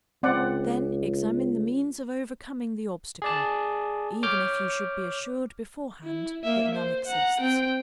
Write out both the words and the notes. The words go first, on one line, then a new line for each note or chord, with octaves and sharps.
Then examine the means of overcoming the obstacle, even if you should be assured beforehand that none exists.
C#2 C4 D5 F#5
G#4 D5 A5
C#5 D6 F6 G6
E4
A#3 E5
C5
F#5 A#5
C4 G5